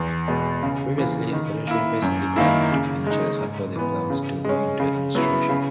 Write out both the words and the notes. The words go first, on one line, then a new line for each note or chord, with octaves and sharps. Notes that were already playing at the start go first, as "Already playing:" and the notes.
Previously, a potential investor declined to financially support the plans to go into administration.
Already playing: E2
B2 G#3 B3
C#3
E3 A#3
D#3
A#3 E4
F#2
D#3 A#3 E4
C#3
G#3 D#4
G#2
E3 B3
C#3
G#3 C#4
C#3
F#3 B3 E4
C#3